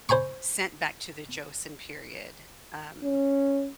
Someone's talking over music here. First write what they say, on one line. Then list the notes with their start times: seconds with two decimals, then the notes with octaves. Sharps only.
sent back to the Joseon period, um,
0.09 C5 G#5 B5 C#6
3.04 C#4